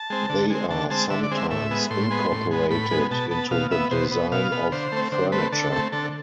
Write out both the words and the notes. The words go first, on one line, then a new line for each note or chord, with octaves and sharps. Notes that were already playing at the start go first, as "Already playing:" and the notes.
They are sometimes incorporated into the design of furniture.
Already playing: A5
G#3 C4
D3
G#3 C4
D3 A5
G#3 C4 A5
D3 E5
D5
G#3 C4
E5
A2 E5
G#3 B3
A2 C6
G#3 B3
A2
G#3 B3
A2 B5
G#3 B3
B2 A5
B3 A5
B2 F5
B3 E5
B2 C5
B3
B2 F5
B3
D3 C5
A3 C4
D3 C5
A3 C4 B4
D3 A4
A3 C4
D3 A4